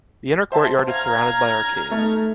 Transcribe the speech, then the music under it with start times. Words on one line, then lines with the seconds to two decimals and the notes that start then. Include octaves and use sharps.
The inner courtyard is surrounded by arcades.
0.52 C5 E5 A5
0.88 F5 A#5 F6 G#6
1.91 A3 D#4